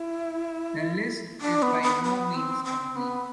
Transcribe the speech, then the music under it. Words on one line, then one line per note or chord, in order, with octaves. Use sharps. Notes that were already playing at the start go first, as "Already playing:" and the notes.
The list is by no means complete.
Already playing: E4
D4
B3
B3
B3
C4
C4
B3